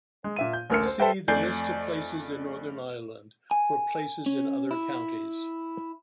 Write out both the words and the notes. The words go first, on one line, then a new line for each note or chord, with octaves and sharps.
See the List of places in Northern Ireland for places in other counties.
G#3
A#2 E5 D#7
G6
A1 D2 A#4 E6 F6 C#7
C5
A4 B4 C5 E5 G5
F2 A3 D5 G#5 G6 C7
G#5
C#4
E4